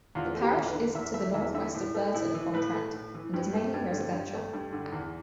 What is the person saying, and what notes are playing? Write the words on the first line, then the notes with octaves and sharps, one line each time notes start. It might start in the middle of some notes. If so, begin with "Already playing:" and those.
The parish is to the northwest of Burton upon Trent and is mainly residential.
E2 F4
A3
G4
E2
B4
D3
E2 E5
A3 E5
E2 E5
D3 E5
A2
A3
A2 E4
E3
A2 B4
A3
A2
E3
G2 B4
A3
G2
D3
G2
A3
G2
D3
E2